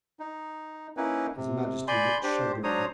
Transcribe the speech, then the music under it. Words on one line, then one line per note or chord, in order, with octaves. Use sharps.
His Majesty looked chagrined.
D#4
A#3 C#4 D#4 E4 B4
C3
D5 G#5 B5 C6 G6
D4 G4 C5
F#3 D4 C5 C#5 A#5 D#6